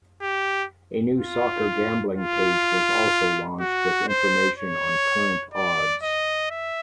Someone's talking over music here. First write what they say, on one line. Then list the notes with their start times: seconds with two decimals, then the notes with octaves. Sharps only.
A new soccer gambling page was also launched, with information on current odds.
0.22 G4
1.17 F4
2.15 F4
3.60 F#4
4.09 C5
4.58 C#5
5.54 D5
6.03 D#5
6.51 E5